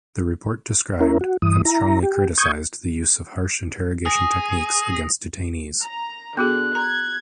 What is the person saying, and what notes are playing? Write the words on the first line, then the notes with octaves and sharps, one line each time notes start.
The report described, and strongly criticized the use of harsh interrogation techniques against detainees.
C#4 E4 A#4
F#4
G2 E3 D#6
E4 A#5
G4
C#6 D#6 G6 G#6
G#4 D#6 A#6
A#5
D3 B3 F#4 G#4 F#6
A#5 G#6